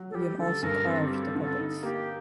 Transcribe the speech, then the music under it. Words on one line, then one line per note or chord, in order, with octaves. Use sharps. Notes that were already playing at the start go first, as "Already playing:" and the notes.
William also carved the puppets.
Already playing: F#3
A4
G3 G4
D3 A4
G2 A#4
C4 A4
G4
G3
A4
D3
A4
D#4
A#3 G4